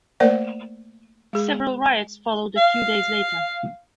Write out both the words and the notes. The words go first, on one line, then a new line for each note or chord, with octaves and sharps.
Several riots followed a few days later.
A3 A#3 A#4 C5 D5 F5
G#3 G#4
F5